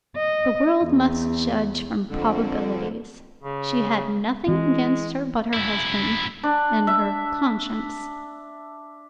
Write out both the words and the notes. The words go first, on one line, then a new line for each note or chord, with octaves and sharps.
The world must judge from probabilities; she had nothing against her but her husband, and her conscience.
D#5
E2
F2 D3
C#3
E3 G#3 C4
F#2 E4
D4
E5